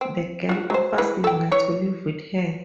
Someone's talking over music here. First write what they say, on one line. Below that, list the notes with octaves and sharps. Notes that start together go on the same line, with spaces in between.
The girl offers Lena to live with her.
C4
F4 F#4
F#3 C5
E3 G#3 B4
A4 G5
E3 C#5